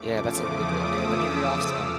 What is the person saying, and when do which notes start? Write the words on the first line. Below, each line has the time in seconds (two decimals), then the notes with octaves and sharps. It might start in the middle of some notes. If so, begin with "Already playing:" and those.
Yeah. That's a really great okay, let me read off some
Already playing: E2 C#3 F3 A3 D6
0.29 D#6
0.76 E6
1.68 C3 F6